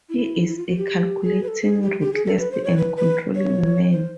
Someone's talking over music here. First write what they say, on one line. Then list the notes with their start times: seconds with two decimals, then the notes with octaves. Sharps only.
He is a calculating, ruthless, and controlling man.
0.09 E4
0.48 E4
0.57 F4
0.67 F#4
0.77 G4
1.24 G#4
1.43 B4
1.48 A4
1.62 G#4
1.82 G4
2.00 G4
2.13 G#4
2.26 A4
2.39 B4
2.52 C5
2.64 C#5
2.77 B4
2.97 B4
3.35 C#5
3.92 C5